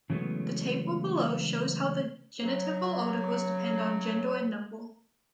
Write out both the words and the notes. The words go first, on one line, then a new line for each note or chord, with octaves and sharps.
The table below shows how the genitival articles depend on gender and number.
C#3 E3 F#3 G#3 A3 B3
C#3 F#3